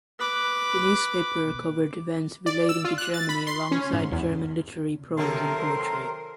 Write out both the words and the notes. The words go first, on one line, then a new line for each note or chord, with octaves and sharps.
The newspaper covered events relating to Germany alongside German literary prose and poetry.
B4 D6
D5
E6
F4
F#6
A6
B5
C6
C#4
G#2
E2
C3 D#3 F#3 A4 A#4 C6